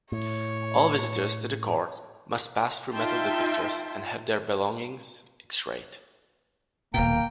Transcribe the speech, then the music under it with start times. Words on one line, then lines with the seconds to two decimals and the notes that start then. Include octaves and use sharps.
All visitors to the Court must pass through metal-detectors and have their belongings X-rayed.
0.12 A2 C#5
2.93 D#4 F4 E5 G5 A5 C6
6.94 D#1 B2 A#3 G5 A#5